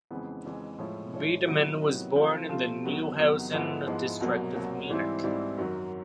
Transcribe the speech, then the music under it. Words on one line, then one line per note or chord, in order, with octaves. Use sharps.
Wiedemann was born in the Neuhausen district of Munich.
F2 C#3 E3 G#3 B3
F2 C#3 E3 G#3 B3
A2 F3 G#3 C#4 E4
A2 F3 G#3 C#4 E4
C3 D#3 F#3 B3 E4
C3 D#3 F#3 B3 E4
C3 F3 A3 C4 F4
C3 F3 A3 C4 F4
E2 C3 D#3 F#3 B3
E2 C3 D#3 F#3 B3
G#2 F3 G#3 B3 E4
G#2 F3 G#3 B3 E4
C2 B2 F#3 A#3
C2 B2 F#3 A#3
G#2 E3 G3 C4 E4
G#2 E3 G3 C4 E4
F#2 D#3 F#3